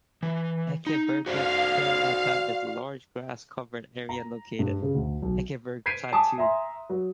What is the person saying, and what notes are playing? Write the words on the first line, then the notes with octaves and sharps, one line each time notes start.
Ekebergsletta is a large grass covered area located on Ekeberg plateau.
E3
D#4
F#4 C5 D5 F5
A#5
G2
C#3
D2
B1
G6 G#6 B6 C7 D7 D#7
G#5 A5 D6 D#6
E5 G#5 A#5 C6
F#3